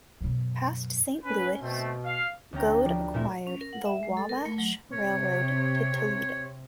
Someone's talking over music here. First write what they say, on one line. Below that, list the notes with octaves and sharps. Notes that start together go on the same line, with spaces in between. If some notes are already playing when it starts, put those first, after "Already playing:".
Past Saint Louis, Gould acquired the Wabash Railroad to Toledo.
F#2 B2
C#4 B4
B2 A3 C4
F5
D2 B3 C#4 G5 A#5
F3 G3 D5
A#2 A3 C4 E4 A#4
C#4
A#4
F#5
E5
G#3
A4
A#4
A3
F#3
C3 C#5